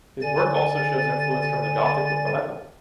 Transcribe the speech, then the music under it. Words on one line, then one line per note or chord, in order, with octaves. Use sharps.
His work also shows influences from the Gothic Revival.
D3 D5 G#5 A6